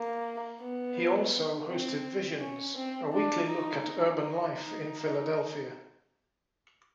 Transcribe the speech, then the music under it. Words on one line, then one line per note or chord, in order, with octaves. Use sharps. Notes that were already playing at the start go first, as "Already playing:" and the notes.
He also hosted "Visions", a weekly look at urban life in Philadelphia.
Already playing: A#3
B3
C4
C#4
C4
D4
D#4
D#4
D#4
D#4